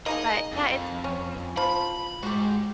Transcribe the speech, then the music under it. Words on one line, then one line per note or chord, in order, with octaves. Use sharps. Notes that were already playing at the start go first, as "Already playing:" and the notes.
But, yeah, it's crazy.
A#3 D#4 G#4 D#5
F2
C#4
F3 B5
G#2 F#4 G4